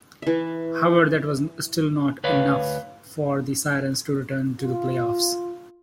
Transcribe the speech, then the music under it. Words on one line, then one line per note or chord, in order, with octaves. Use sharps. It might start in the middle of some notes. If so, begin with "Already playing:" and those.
However, that was still not enough for the Sirens to return to the playoffs.
E3 E5
D2 B4 C#5 F5
F4